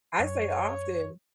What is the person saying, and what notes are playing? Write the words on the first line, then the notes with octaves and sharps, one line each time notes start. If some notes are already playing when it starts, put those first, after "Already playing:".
I say often
F#2 C#5